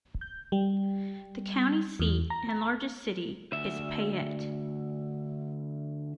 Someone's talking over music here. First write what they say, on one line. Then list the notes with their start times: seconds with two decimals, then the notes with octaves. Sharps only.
The county seat and largest city is Payette.
0.21 G6
0.52 G3
1.99 E2
2.30 A#5
3.52 D2 E5